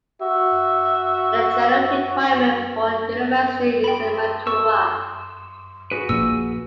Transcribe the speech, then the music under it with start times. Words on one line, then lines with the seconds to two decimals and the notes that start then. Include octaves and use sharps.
The general requirement for university is the Matura.
0.21 F#4 E5
3.84 G5 B5
4.47 C#6 E6
5.91 F#4 G#4 B4
6.09 A#1 A#2 E6